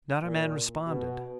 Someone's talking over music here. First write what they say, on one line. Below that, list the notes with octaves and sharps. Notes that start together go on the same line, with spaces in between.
Not a man responded.
A#2
B2